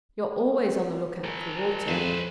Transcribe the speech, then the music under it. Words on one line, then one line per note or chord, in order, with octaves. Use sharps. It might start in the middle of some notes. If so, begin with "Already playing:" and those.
"You're always on the lookout for water."
G#4 A#4
F2 B4 C5